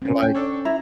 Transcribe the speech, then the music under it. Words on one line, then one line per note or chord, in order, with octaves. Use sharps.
and, like,
C4 C#4
G5
D4 A4 C#5
E4 A#5